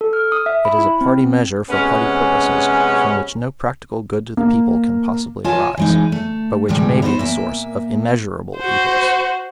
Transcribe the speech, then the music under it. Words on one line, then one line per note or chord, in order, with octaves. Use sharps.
It is a party measure for party purposes from which no practical good to the people can possibly arise, but which may be the source of immeasurable evils.
A4
F6
D#6
E5
B5
E4
C4
C4
C3 G#3 B3 C#4
A#3
F4 C#5 D#5 G#5 A5
E3 G#3 D#4
A3
D2 A2 C3 G3 G#3
B3 D#4 F#4 B4 C5
A#2 A#3 E5
F#4 C5